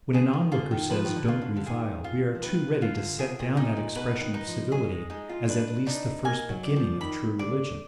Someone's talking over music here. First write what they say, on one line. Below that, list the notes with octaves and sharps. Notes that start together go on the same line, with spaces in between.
When an onlooker says 'Don't revile,' we are too ready to set down that expression of civility as at least the first beginning of true religion.
D3 G#4
D#3
D3 F4
D#3
F3 B4
D#3
D3
F4
D3
D3
D#3 G#4
F4
F3
D#3 B4
D3
F4
D3
B2 G#4
A#2
A#2 D#4
A#2
B2 B4
D#3
D#4
F3
F#3 G#4
F#3
G#3
G#3 D#4
F4
D4 B4
D4 D#4
A#3 G#5
F#3
D5
F3
D#3 B5
D3 D5